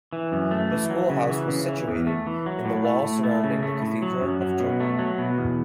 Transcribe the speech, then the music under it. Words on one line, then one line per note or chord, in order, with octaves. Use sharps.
The schoolhouse was situated in the wall surrounding the Cathedral of Turku.
E3
F#2
A3
E3
F#3
C#3
E3
C#3
E3
E2
A3
E3
F#3
A2
A3
A2
A3
C#3
A3
A2
F#3
F#2
F#3
B2
A3
F#3
B2
E2